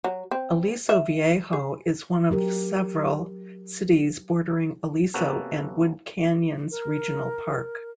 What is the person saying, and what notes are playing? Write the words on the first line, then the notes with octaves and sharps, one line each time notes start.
Aliso Viejo is one of several cities bordering Aliso and Wood Canyons Regional Park.
F#3
C4
E5
G#4
F#3 G4 A#4
C3 A#3 B3 C#4 F#4 A4
A#4